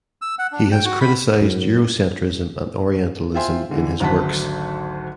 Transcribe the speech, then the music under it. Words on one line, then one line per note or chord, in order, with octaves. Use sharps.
He has criticized Eurocentrism and Orientalism in his works.
E6
F#5
D4
G5
F#4
B5
F#2
F4 C5 E5 G5 G#5 C6
D3 E3
G#1 D2 F#3 F#5 A5 B6